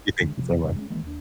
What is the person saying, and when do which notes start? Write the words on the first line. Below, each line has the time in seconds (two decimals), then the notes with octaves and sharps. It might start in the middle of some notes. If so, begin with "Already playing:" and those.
You think the same way?
0.20 D3 G#3 C#4
0.37 C3 F3
0.64 C3 G3 D4
0.76 G#3 A3 C#4
0.90 D#3 E3 G#3 A#3
1.03 D#2 D4